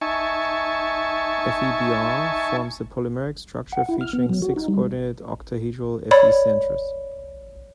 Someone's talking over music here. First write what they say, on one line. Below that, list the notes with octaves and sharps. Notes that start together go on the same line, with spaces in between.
FeBr forms a polymeric structure featuring six-coordinate, octahedral Fe centers.
D#4 E5 G#5 A5 C#6
F#5
E4
F6
B3
F#3
F#4
D#4
G3
C#5 D5 B5